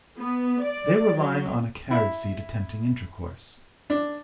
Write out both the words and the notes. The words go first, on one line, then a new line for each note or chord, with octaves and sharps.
They were lying on a carriage-seat attempting intercourse.
B3
D5
F#3
E4
D4